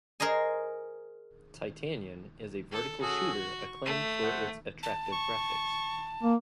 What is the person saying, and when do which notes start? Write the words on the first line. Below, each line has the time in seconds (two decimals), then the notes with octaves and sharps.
"Titanion" is a vertical shooter acclaimed for its attractive graphics.
0.20 G#4 A#4 C5 D#5 G#5
2.72 A4
3.02 C#4 F#4 G#4 A4
3.36 C#6
3.86 A3
4.23 C5 F#5
4.83 A5
5.12 C#6
6.23 A#3